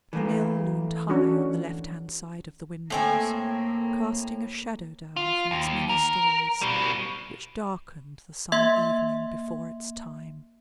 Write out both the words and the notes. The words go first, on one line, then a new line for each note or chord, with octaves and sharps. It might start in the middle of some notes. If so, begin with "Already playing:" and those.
The mill loomed high on the left-hand side of the windows, casting a shadow down from its many stories, which darkened the summer evening before its time.
E3 A3 A#3
C#4 D4 F#4
A2 A#3 C4 G#5
F4
D#2
A#4
B2 G3
A#3 E5 C6 G#6